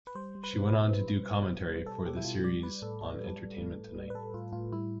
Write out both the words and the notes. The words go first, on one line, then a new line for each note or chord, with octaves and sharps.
She went on to do commentary for the series on "Entertainment Tonight".
B4
G3 C5
G3
B4
B2
B2
G3
G3
B2
B2
G3
G3 A4
B2 G4
E4
B2 F4
G3 D5
G3 B4
A2 A4
A2 A4
G3
G3
A2
A2
G3
B4
G3 A4
A2 F4
A2 F4
G3 E4